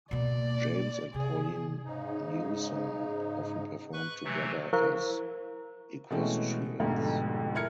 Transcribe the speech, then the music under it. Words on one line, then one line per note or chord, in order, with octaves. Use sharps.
James and Pauline Newsome often performed together as equestrians.
B2 A#3 D5
C3 G#4
G#2 C#3 D#4
B4 C#6 F#6
C3 E3 F#3 A3
E4 A#4 C5 F5 C#6
B2 E3 G#3 A3 C4 C#4
F1 F2 G#2 B2 D3
E4 A#4 F6 G#6 C#7